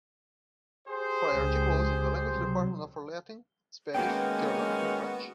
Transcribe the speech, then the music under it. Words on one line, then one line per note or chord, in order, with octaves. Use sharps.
Prior to closing, the Language Department offered Latin, Spanish, German and French.
G4 G#4 C5
C#2
C3 F#3
D#3 G#3 A#3 B3 C#4 F#4 G5